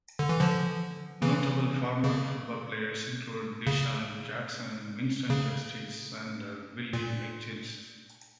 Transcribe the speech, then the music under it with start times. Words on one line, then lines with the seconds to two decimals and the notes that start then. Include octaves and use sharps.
Notable former football players include DeSean Jackson, Winston Justice, and Willie McGinest.
0.19 D3
0.29 E3
0.40 D3 F3
1.22 C#3 E3
2.04 C#3
3.67 C#3
5.30 C#3
6.93 A#2